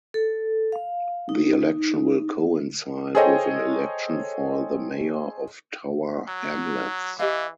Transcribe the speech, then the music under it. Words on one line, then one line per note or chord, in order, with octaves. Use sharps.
The election will coincide with an election for the mayor of Tower Hamlets.
A4
F5
D#4
G#4 A4 C5 C#5 D#5 G5
F#3
E3 G4 D#5 F5